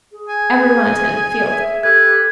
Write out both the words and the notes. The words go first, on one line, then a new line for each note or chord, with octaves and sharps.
Everyone attended Field Day.
G#4
G#5
E5
G4 A4 B4 G#6